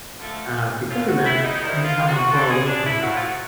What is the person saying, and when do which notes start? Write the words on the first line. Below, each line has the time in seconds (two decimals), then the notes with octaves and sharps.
uh, because of that, any time I'm far away from her,
0.18 D3 F3 A3
0.89 D3 F#3 A3 F4
1.07 F#4
1.24 E4
1.43 D#4
1.60 C3 D#3 G3 E4
1.84 F4
2.07 F#4
2.31 D3 G3 A4
2.49 G#4
2.67 D4
2.85 E4
3.02 C3 F3 A3 F#4
3.15 F4
3.20 F#4